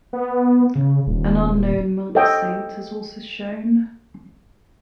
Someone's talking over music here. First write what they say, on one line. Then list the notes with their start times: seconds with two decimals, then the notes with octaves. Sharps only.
An unknown monk saint is also shown.
0.13 B3
0.75 C#3
1.07 D#1
2.15 A4 C#5 D#5 G5